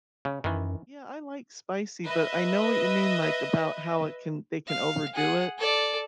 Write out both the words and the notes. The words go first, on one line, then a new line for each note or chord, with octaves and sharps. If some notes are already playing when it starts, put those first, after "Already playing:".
Yeah, I like spicy, but I know what you mean, like about how it can they can overdo it,
C#3
F#2 D#3 E3
B4 D#5 E5
F5
G#4 F#5
A4 D5